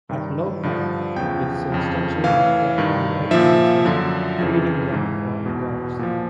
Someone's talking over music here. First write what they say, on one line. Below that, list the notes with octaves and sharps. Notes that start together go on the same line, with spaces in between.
At low tide, its extensive mudflats are widely used as feeding grounds for waders.
G2 D#3
G2 D3 F3
E2 C#3 F3 G5
F2 C#3 F3
A2 E3 F5
G2 D#3
A#2 F3 E5
F#2 D3 F3
F2 C#3 E3
G#2 E3
E2 B2
A#2 F3